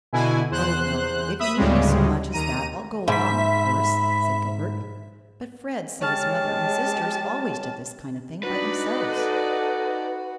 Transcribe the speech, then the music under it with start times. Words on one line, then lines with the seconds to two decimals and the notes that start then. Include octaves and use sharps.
"Oh, well, if you need me so much as that I'll go along, of course," said Gilbert, "but Fred said his mother and sisters always did this kind of thing by themselves."
0.13 B2 D3 E4 G#5
0.50 E2 C5 F#6
1.39 E5 B5 D#6
1.57 D2 A2 C#3 G3 G#3
2.32 D#2 A#5 D#7
3.08 G#2 E5 B5 B6
6.01 G#3 G4 C#5 A5 F6 A6
8.43 D4 D#4 F#4 B4 D5
9.08 A4